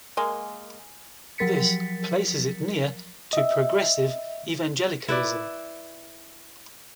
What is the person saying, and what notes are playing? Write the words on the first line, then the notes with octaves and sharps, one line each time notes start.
This places it near to progressive evangelicalism.
G#3 A#3
F3 F#3 A#4 A6 B6 C#7
D#5 E5
E4 B4 D5